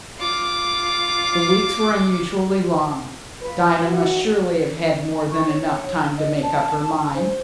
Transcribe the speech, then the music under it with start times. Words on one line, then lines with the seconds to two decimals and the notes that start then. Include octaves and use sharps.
The weeks were unusually long: Dinah must surely have had more than enough time to make up her mind.
0.19 F4 D6
3.42 F4 B4
3.86 D#2 D#3 F#4
5.31 C#6
5.48 C#5
6.17 D#5
6.42 A5
7.14 C5